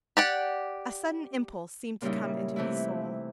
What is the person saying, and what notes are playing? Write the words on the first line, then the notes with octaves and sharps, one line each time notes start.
A sudden impulse seemed to come into his soul.
G4 D5 F#5
A#2 C#3 G3 D#4 E4
C3 E3 A3 E4